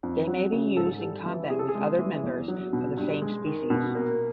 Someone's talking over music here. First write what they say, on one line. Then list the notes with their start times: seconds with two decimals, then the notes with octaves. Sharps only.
They may be used in combat with other members of the same species.
0.03 F2
0.27 F#3
0.53 C#3
0.77 G#2 A4
1.01 G3
1.26 E3
1.50 C3 G#4
1.59 A4
1.69 G#4
1.75 G#3
1.99 E3
2.24 E2
2.48 F#3
2.73 B2
2.97 G2
3.22 G#3
3.46 D#3
3.70 B2
3.95 A#3